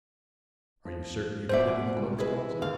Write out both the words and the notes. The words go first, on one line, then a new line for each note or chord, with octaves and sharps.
"Are you certain you put it in the clothes closet?"
F3
F#2 B2 C5 D5 E5
C#2 G3
E4 G#4 B4 D#5
D#2 F5